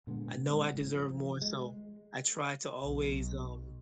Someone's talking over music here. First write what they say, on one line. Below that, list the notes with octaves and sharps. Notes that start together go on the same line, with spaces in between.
I know I deserve more, so I try to always, um
A#2 D3 G#3 B3
A1 G#3 C4
G#1 A2
F3
G#3
B1